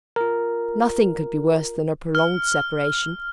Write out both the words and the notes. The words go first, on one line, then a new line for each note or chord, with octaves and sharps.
Nothing could be worse than a prolonged separation.
F4 A#4
F6